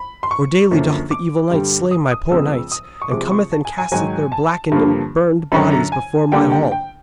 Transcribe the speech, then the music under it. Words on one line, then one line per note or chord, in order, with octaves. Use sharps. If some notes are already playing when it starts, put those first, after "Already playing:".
For daily doth the evil knight slay my poor knights, and cometh and casteth their blackened and burned bodies before my hall.
Already playing: B5
C6
C#6
F#2 D3 F3 A#3
D6
G2 D3 G3
D#6
D#6
F2 C#3 F3 G#3 B3 E6
D#6
C#6
C3 F3 G#3 D6
C#6
A5
G#5
G#5
G#2 D#3 F#3 G#5
A5
G2 D3 F3 A#3
F#2 D3 F#3 B5
A#5
G#5
D3 G3 A#3 D4 G5
G5
G5